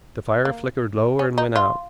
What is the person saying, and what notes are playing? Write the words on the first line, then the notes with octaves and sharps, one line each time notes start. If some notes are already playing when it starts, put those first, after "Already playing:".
The fire flickered lower and went out.
A#3
C#4
D#4
F4